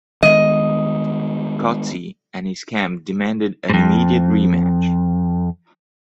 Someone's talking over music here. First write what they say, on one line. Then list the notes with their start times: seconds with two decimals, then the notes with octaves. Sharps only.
Coetzee and his camp demanded an immediate rematch.
0.23 D#3 G#3 B3 D#5
3.70 F2 G#2